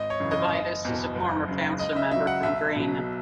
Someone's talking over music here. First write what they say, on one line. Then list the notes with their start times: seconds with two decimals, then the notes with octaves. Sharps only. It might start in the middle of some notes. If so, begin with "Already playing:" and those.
Devitis is a former Council member from Green.
Already playing: G#1 D#5
0.10 C#5
0.20 F#2 C#3 E3
0.31 D#5
0.53 F#1
0.85 E2 B2
1.15 F#1
1.48 F#2 C#3
1.79 C#2 D#5
1.96 E5
2.11 C#3 F#3 E5
2.27 F#5
2.43 B1 E5
2.76 B2 F#3